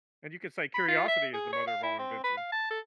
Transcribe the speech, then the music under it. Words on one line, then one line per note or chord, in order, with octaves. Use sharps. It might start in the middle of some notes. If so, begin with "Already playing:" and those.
And you can say curiosity is the mother of all invention.
B5
F4
E5
G#4
C#5
F5
E4
C4
B4
F5
A5
A4